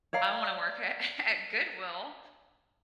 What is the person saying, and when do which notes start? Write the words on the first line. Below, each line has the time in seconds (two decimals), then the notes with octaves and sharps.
I wanna work at at Goodwill,
0.13 C#5 D5 F5 A#5